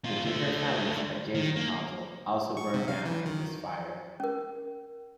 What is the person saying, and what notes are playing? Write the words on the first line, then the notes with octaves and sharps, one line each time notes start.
The Dicker family's adjacent hotel also burned down in this fire.
B2 F4
D3 A3
D#3
A#3
C#6
C3
F5
E3
D#3
C#4 A#4